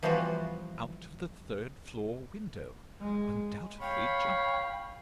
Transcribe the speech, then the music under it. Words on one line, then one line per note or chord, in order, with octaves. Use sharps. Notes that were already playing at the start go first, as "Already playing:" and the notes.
Out of the third-floor window undoubtedly jumped.
E3 F3 G3 B3 F4 F#4
G#3
C#5 F5 G5 B5